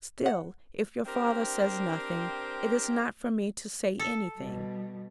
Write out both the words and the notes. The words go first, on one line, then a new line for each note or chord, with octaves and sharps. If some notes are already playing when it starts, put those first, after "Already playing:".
Still, if your father says nothing, it is not for me to say anything.'
F#5
C4 D4 G4 A#4 C5
A4
B2 G3